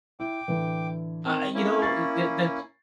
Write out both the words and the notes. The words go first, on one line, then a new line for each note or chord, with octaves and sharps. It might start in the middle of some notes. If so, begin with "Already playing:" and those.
I I you know, i ye that ch
E4 G5 D6
A2 D3 E3
D#3 C4
A#3 C#4 E4
C#6 A6 C7